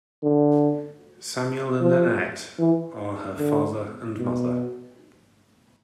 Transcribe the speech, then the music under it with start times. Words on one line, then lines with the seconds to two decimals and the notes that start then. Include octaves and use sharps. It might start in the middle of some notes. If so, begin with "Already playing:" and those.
Samuel and Annette are her father and mother.
0.23 D3
1.81 F3
2.59 E3
3.38 D3
4.17 B2